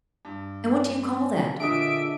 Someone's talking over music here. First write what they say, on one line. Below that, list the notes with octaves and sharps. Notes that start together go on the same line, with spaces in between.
"And what do you call that?"
G2
A#2 D3 D4 G#4 D#5 E5 D7